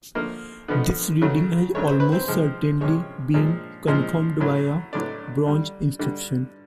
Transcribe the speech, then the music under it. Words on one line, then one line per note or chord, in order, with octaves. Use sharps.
This reading has almost certainly been confirmed by a bronze inscription.
D3 F3 A3 A#3 A#4
D3 F3 A3 B3 B4
C#3 F#3 A3
C#3 F#3 A3 C#5
C5
B4
C4 C5
C3 F3 G#3
C3 F3 G#3 C#4 C#5
A#2 F3 G#3
A#2 F3 G#3
A2 F#3 A3
A2 F#3 A3 D4 D5
D3 G3
D3 G3